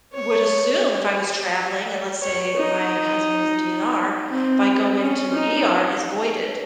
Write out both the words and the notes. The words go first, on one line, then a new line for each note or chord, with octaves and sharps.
would assume if I was traveling and let's say my husband was a DNR, if I go into the ER it's voided
C#5
C#5
D#4
C4
C#4
D#4